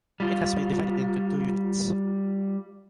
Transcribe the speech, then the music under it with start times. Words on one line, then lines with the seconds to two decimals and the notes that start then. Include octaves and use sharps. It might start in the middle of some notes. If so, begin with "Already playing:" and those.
It has been divided into two units.
0.20 G3 F4